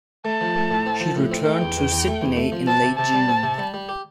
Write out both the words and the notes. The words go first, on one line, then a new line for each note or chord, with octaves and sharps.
She returned to Sydney in late June.
A3 A5
F3
A3
A2
C4
F3
A2
C4
A3 G5
E2
E2
E2
A3
E2
A3
F3
C4 A5
C3
C3 A5
G3
C4
C3
G3
G3
G4